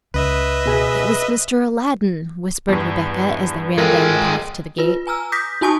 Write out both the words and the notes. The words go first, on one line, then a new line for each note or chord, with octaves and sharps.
"It was Mr. Aladdin," whispered Rebecca, as they ran down the path to the gate.
C#2 B4 D#5 E5
B2 G#4 G#5
E2 G2
G#3 C4 F4 A4 A#4
F4 B4
G#5 A#5 E6 F6
D6 D#6 G6 A#6 B6
D#4 F#4 G#5 A5 C#6 D#6